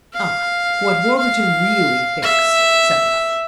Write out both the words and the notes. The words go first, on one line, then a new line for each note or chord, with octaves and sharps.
"Ah, what Warburton really thinks--!" said Ralph.
F5
F5
E5